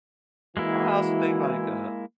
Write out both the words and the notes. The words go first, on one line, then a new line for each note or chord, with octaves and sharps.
I also think, like, uh,
E3 G#3 A#3 E4 F#4